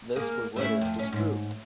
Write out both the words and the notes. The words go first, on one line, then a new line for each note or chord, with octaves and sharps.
This was later disproved.
A#3 G#4
A3 C#4 E4
F2
C#4
G#2